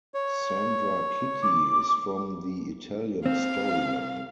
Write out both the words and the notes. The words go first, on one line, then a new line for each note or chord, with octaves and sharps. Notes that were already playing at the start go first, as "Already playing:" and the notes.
Sandra Citti is from the Italian Storyline.
C#5
D6
C4 F5